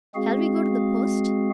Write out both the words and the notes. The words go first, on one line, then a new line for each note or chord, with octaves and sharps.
Shall we go to the post?
G#3 C4 F#4 G#4 F5